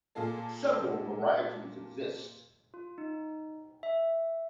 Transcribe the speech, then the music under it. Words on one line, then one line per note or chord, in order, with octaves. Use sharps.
Several varieties exist.
A#2 A#3 F4 G#4 A4
F4
D#4
E5